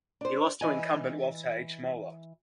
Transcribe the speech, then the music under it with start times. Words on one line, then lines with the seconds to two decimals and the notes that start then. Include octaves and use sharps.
He lost to incumbent Walter H. Moeller.
0.21 D4 C5
0.61 E3 D#5 G#5